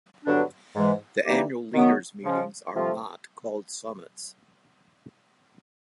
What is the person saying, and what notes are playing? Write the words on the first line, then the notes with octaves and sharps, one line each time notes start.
The annual Leaders' Meetings are not called summits.
G2 D3 F#3 B3 D4
G#2 E3 G#3
E3 G3 A#3 D#4 G4
D#3 F#3 B3
C#3 F3 G#3 C#4
C3 F3 A3 C4 F4